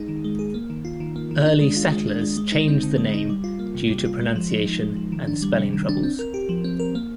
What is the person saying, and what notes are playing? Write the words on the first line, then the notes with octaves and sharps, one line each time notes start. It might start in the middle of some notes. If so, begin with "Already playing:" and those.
Early settlers changed the name due to pronunciation and spelling troubles.
Already playing: G#3 D#4 G#4
D#3
G#3
G#4
A#3
D#3
F4
D#3
A#3
D#3
D4
G#3
F4
G#3
D4
G#3
G#3
D#4
C4
D3
G#3
D#4
G3
F4
A#3
C3
G3
F4
G#3
F3
D#4
F3
G#3
F3
D#3
D4
G3
C3
D#3
D4
C4
A#4
G4
F3
C4
A#4
A#3